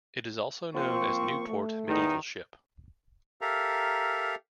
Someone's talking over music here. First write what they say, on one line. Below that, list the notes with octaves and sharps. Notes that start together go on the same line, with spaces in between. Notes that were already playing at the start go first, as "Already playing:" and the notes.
It is also known as Newport Medieval Ship.
F3 A#3 C4 C#6
A3
E2 D#3 D#4
G4 A4 A#4 E5 F5 A#5